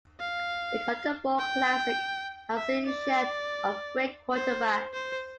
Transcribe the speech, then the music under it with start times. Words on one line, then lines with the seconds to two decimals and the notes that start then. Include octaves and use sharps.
The Cotton Bowl Classic has seen its share of great quarterbacks.
0.20 F5
1.39 G5
2.57 E5
2.86 D5
4.34 C5
4.94 C5